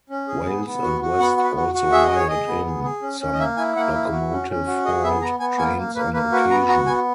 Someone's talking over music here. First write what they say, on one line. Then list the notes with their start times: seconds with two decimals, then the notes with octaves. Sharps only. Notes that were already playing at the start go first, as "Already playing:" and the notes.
Wales and West also hired-in some locomotive-hauled trains on occasion.
0.10 C#4
0.28 G#4
0.46 B3
0.65 B3
0.82 F#4
1.01 F#4
1.19 B3 F#5
1.37 F#4
1.44 B4
1.56 F#4
1.74 F#4
1.92 G#4 E5
2.04 D#5
2.11 G#4
2.16 C#5
2.28 G#4 D#5
2.47 B3
2.65 G#4
2.84 G#4
3.02 C#4
3.20 C#4
3.34 D#5
3.39 A#3 E5
3.57 E4 G#5
3.76 A#3 F#5
3.94 E4
4.12 F#4
4.31 C#4
4.49 C#4
4.67 F#4
4.85 G#4 D#5
5.03 B3 E5
5.22 B3 A#5
5.40 B3 G#5
5.58 A#3 G#5
5.77 A#3
5.95 A#3 B4
6.13 A#3 B4
6.32 F#4 B4
6.50 B3 A#5
6.68 F#4 A#5
6.87 B3 G#5